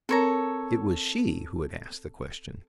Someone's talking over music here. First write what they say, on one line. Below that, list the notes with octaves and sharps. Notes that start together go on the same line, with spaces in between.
It was she who had asked the question.
C4 A4 A#4 C#5 A#5